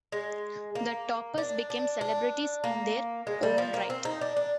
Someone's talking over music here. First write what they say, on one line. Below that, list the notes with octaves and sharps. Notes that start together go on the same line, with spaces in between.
The Toppers became celebrities in their own right.
G#3
A#3
D4
D4
D4
A#3
G#3
G3
F3
A#3
C4
D#4
D4
D4